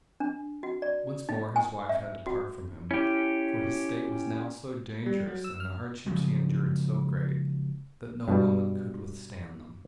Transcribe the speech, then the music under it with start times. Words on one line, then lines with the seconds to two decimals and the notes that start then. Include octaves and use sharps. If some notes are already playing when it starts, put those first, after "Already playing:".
Once more his wife had to part from him, for his state was now so dangerous and the hardships he endured so great that no woman could withstand them.
0.20 D4
0.63 F#4
0.82 D5
1.29 D#4
1.56 G#5
1.89 E5
2.27 F#4
2.91 C#4 E4 G4
5.06 G3
5.27 F#3
5.44 E6
5.60 F6
6.06 C#3 F3 F#3 G#3
8.28 G2 B2 G3